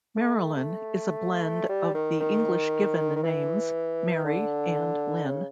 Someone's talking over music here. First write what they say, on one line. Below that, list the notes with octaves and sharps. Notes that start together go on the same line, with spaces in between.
Marilyn is a blend of the English given names Mary and Lynn.
A3
G3
D#3
D#3
D#3
E3
D3
C#3